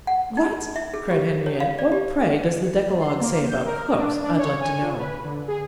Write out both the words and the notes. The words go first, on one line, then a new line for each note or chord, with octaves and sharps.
"What!" cried Henrietta "What, pray, does the decalogue say about cooks, I'd like to know?"
F#5
D#4
E5
G#4
G4
C#5
F5
D5
G4
C6
A#3
G6
A#4
D4
D4
C#5
G#5
F4
B4
D3
G#4